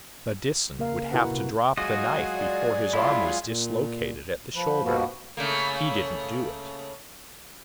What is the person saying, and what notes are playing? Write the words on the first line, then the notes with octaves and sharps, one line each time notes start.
The Disan would have to drop the knife before his arm was dislocated at the shoulder. He didn't do it.
C#3 A#3 A#4 F5
A#2 E4 F#4 A#4 B4 F#5
C3
F#3 G#3 F4 F#4 G#4 D#5
D5
E4 F4
A#2
F3 B4
G2 B2 F3 A#3 B3 F#4
C#3 A3 A#3